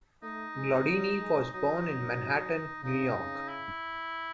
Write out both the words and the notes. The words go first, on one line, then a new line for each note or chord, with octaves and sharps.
Glaudini was born in Manhattan, New York.
A3 D#4
G#3
F#3
G#3
F#3 D#4
F#3
C#3 D#4
E4